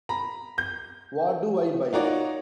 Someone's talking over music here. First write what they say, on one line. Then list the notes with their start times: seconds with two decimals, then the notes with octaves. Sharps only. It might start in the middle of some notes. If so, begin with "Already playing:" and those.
What do I buy?
0.09 A#5 B5
0.58 G6
1.93 D#4 F4 F#4 A#4 C#5 D5